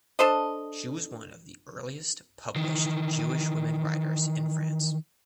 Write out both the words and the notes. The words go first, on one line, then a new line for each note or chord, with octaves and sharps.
She was one of the earliest published Jewish women writers in France.
D4 A4 C5 D#5
D#3 E3